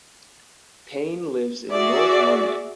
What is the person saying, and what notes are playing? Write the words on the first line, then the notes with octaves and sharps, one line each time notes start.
Payne lives in North London.
F#4 G#4 D5 E5